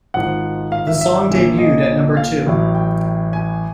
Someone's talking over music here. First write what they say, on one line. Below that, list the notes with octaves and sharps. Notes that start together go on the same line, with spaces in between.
The song debuted at number two.
G#1 G#2 F3 F#5
F5
E5
E5
A#1 A#2 F3
D#5
F5
A1 A2 F#3
G5
G#5